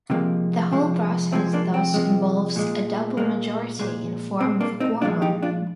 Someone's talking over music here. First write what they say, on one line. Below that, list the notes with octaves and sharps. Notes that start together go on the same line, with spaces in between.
The whole process thus involves a double majority in form of a quorum.
C3 F3 G#3 A#3
C3 F3 G#3
C3 F3 G#3 C4
A#3 D4
C4
C3 F3 G#3
A#2 G#3
A#2 G#3 A#3
A#2 G#3
A#2 G#3 C4
A#3 D4
C4 D#4
A#2 F3 G#3 D4 F4
D#4 G4
D4 F4